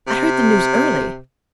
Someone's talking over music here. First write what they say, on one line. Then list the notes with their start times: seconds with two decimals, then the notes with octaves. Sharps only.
'I heard the news early.
0.07 C3